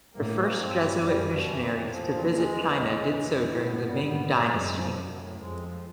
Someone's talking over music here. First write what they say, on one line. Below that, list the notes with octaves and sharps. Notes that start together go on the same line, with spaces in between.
The first Jesuit missionaries to visit China did so during the Ming dynasty.
A2 A#3
F3
G2 C4
G3
F#2 G3
B2
F2 E3
A2
F3
A#2
E2 G#3
E3
E2 G#3
E3
F2 E3
A2
G2 B3
G3
G#2 B3
F#3
F#2 G#3
F3
F#2 F#3
A2
F2 G#3
F3